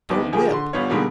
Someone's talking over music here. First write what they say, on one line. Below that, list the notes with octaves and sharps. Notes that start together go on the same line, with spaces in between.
"Don't whip."
F#1 D2 B3 D#4 B4 D6
D3 F3 A#3 G4 G#4
D3 C6
G1 D3 G3 B3 F4 C#5
B2 D3 D#3 G3 G#3 A#3